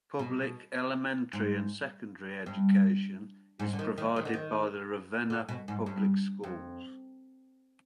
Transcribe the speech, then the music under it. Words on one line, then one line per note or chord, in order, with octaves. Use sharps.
Public elementary and secondary education is provided by the Ravenna Public Schools.
B2
G#2
G2
G#2
D3
D#3
D#3
D#3
D3
D#3
D3
B2
G#2
G2
F2